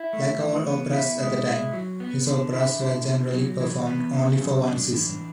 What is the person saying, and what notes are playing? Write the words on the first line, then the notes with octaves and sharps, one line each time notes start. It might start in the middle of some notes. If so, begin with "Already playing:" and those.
Like all operas at the time, his operas were generally performed only for one season.
Already playing: E4
A3
E3
B3
E4
G#3
E4
F#3
B3
D3
E4
D3
B2
F#3
E3
B3
C#3
F#3
D4
E3